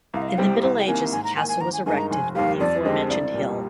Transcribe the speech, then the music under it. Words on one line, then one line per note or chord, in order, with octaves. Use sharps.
In the Middle Ages, a castle was erected on the aforementioned hill.
C2 F5
D#5
F5
C3 G3 C4 G5
C2
G5
C3 D#3 A#3 G#5
G#2 G#5
A#5
D#3 A#3 G#5
G#5
G#1 A#5
G#5
G2 D#3 G#3 D#4 G#5
A#5
F1 G#5
D#2 D#3 G3 F5
F2 D5
D3 G#3 C4 G4 D#5
C2 D5
A#2 G3